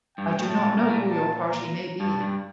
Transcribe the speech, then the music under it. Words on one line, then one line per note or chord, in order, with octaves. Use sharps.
I do not know who your party may be.
G2 G5
A2
A2 A5
A#2
A#2 A#5
A2
A#2
A5
A#5
G2 A5
G2